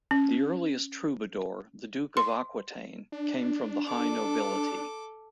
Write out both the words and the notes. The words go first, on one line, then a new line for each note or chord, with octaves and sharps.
The earliest troubadour, the Duke of Aquitaine, came from the high nobility.
C#4
C6
D4
A4 D6